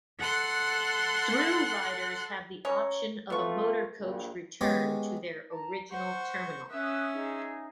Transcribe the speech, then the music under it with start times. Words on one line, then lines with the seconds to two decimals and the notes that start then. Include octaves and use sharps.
Through riders have the option of a motor coach return to their original terminal.
0.19 A4 F#5 C6 F#6
2.65 C#4 A#4 C#5
3.30 A3 B3 C4 F4 C#6
3.99 A#1 G2 A#2
4.61 G#3 B3 C#4 G4 G#4
5.51 A5 A#5
5.91 C5 F#5 C#6
6.70 C#4 E5 D#6 F#6
7.13 D#4 G#4